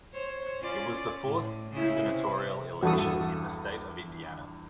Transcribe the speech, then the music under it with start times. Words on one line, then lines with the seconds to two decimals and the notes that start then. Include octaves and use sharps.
It was the fourth gubernatorial election in the State of Indiana.
0.13 C5 C#5
0.60 C#4 F4 D5
1.24 A2
1.71 C#3 C#4 E4
2.05 C3
2.83 A#1 E2 G2 F#4 A4 D#6